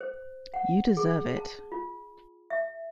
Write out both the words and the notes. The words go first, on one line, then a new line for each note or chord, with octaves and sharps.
You deserve it.
C5
F#5
G#4
A5
F4
E5